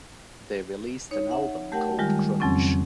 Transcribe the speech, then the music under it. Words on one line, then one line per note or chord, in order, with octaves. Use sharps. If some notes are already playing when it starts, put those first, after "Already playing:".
They released an album called Crunch!
D#4 C#5
E5 F#5
A3 G4 A#4 F#5 G5 A5
D#3 G3 G#3 F4 G4
F2 C#3 F#3 C4 C#4